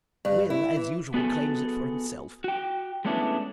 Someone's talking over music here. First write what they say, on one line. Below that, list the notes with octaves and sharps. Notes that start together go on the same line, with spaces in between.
Will, as usual, claims it for himself.
G2
E4
E3
B3 F#4 G#4 A4
F#4 G5
G#3 A3 B3 C#4 D4 E4